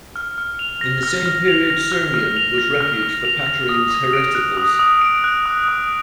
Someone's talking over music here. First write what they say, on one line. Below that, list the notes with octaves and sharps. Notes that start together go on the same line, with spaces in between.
In the same period Sirmione was refuge for Patarines hereticals.
F6
F6
F7
A#6
F6
F6
F7
A#6
F6
F6
F7
A#6
F6
F6
F7
A#6
D#6
D#6
D7
F#6
D#6
D#6
D7
F#6
D#6
D#6